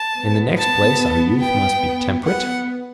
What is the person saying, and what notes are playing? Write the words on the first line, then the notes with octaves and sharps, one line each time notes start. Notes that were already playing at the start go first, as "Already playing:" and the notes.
In the next place our youth must be temperate?
Already playing: A5
B3
A5
G5
B3 F#5